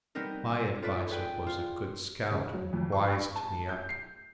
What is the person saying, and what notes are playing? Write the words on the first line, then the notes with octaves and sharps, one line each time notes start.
My adviser was a good scout and wised me up.
G3 B3 C4 D#4 A#4
F4 A4 B4 D5 E5
G#4 B4 G5
F4
C#3
F#3
F2
C#6
A5
G6
C7